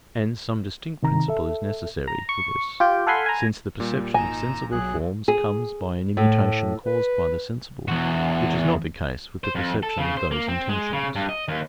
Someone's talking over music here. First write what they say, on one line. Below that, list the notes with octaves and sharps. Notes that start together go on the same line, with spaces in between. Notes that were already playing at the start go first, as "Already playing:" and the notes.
And some distinct principle is necessary for this; since the perception of sensible forms comes by an immutation caused by the sensible, which is not the case with the perception of those intentions.
C3 D#3 A#5
A4 E5
A#5
C#6
F4 G4 G5
A4 F5 F#5 G#5 B5 C6
G#5 A#5
A#2 G3
G#1 D#4 G#5 A#5 E7
B1 F#3 G#4 F#6
G#4
A2
B4
E2 F#4
C5
F2
A4
C#3
C5
A#3
C4
G#3
C#3
G2
D#5
D#2